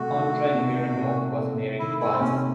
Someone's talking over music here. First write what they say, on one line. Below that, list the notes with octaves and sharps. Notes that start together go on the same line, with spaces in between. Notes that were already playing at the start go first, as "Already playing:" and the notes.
Andrei Mironov was married twice.
Already playing: C3 A3 F#4
D#3
C3
C3
A3
D#3 E4
E4
C4
C3 C#4